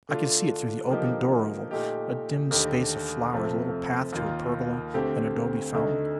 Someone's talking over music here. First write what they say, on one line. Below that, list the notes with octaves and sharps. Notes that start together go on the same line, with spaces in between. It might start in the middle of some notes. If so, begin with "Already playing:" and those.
I could see it through the opened door oval--a dim space of flowers; a little path to a pergola; an adobe fountain.
D3 A3 D4 F4
D3 F3 A#3 D#4 G4
A#2 A3 D#4 G4
D#2 D3 A3 D#4 G4
F2 C3 F3 A3
D#2 D#3 A#3 F4
D2 D3 A3 C4 G4
D2 D3 A3 D#4